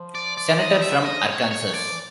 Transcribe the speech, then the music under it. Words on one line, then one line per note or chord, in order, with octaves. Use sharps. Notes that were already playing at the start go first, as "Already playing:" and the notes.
Senator from Arkansas.
Already playing: F3
D5
D5
D#5
E5
D#5
C#5
C#5
F3 D5
E3